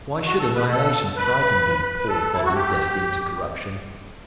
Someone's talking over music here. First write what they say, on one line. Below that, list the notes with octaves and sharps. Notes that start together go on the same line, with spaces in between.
Why should annihilation frighten thee, poor body, destined to corruption?
F#4
A4
B4
A4
B4
B4
A4
E4
F#4
G4